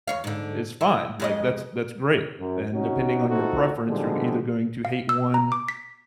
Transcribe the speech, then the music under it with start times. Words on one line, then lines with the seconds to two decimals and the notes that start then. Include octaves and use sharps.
is fine, like, that's that's great, and depending on your preference, you're either going to hate one,
0.08 E2 C#5 F5
0.24 G#2 D3
0.81 E4
1.20 F2 G#3 D#5
2.40 F#2
2.73 C3 C#4 D#4 F#4
3.28 A3 C4 D#4 F4 F#4 A4
3.87 B2 D3 D#3 F3 G3 G#3
4.85 F5
5.09 E6
5.34 A#5
5.52 D6
5.69 B6